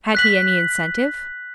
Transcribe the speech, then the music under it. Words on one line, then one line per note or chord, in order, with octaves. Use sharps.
Had he any incentive?
F#6 B6 F#7